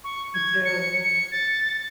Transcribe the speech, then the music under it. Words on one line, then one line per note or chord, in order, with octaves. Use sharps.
I do.
C#6
G#6
C#7
C#7
A6